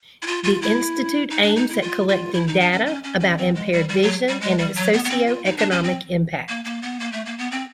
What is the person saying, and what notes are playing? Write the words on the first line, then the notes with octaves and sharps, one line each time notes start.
This institute aims at collecting data about impaired vision and its socio-economic impact.
E4
F4
F4
E4
D#4
D4
D#4
E4
F4
F4
E4
D#4
D4
C#4
C#4
C#4
C#4
C4
G#3
G3
G3
F#3
G3
G#3
G3
F#3
B3
B3
C4
F4
D#4
D4
C#4
C4
A#3
A#3
B3
A#3
A3
A#3
B3
C4